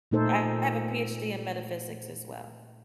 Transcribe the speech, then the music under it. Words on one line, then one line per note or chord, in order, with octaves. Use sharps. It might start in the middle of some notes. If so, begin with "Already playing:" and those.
I have a PhD in metaphysics, as well.
A#2 A3 D#4 A4 C5